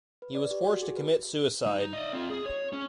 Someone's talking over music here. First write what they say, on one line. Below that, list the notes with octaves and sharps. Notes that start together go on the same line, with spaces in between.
He was forced to commit suicide.
B4
D5
G4
F#4
G#4
B4
D#4
D5 D#5
C4 F4
G#4
C#5
C#4